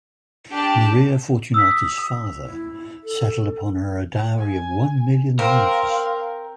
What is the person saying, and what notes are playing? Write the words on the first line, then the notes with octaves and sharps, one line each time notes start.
Maria Fortunata's father settled upon her a dowry of one million "livres".
D4 G4 A5
D#6 E6 B6
E4
A4
G#5
C4 A#4 F5 C6